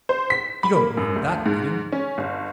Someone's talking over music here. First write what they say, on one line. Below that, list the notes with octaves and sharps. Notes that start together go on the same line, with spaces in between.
You don't mean that meeting?
C5
B6
B5
A#3
F#2
D2
G#2
C#4
G1